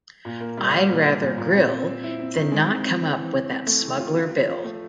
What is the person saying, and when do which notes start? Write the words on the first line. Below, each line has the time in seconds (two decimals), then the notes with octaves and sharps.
I'd rather grill than not come up with that Smuggler Bill.
0.25 A#2
0.41 A#3
0.57 G3
0.73 G3
0.89 A#2
1.05 G3
1.22 A#2
1.38 A#2
1.54 C4
1.70 C4
1.87 C4
2.03 E4
2.20 C4
2.36 D#3
2.52 G#3
2.68 C4
2.85 C4
3.01 E3
3.17 E3
3.33 C4
3.49 C4
3.67 A3
3.82 E3
3.99 F4
4.14 F3
4.31 F3
4.47 F3
4.64 A3